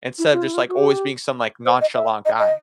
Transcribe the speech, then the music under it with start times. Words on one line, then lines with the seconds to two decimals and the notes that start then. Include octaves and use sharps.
instead of just, like, always being some, like, nonchalant guy.
0.18 E4
0.33 F4
0.43 E4
0.54 F4
0.68 F#4
0.78 G4
1.65 C5
1.81 D#5
1.95 E5
2.25 D#5
2.39 D#5